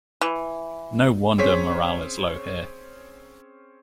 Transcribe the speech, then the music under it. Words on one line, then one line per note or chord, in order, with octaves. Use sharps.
No wonder morale is low here.
E3
C4 C#4 G#4 C#5 B6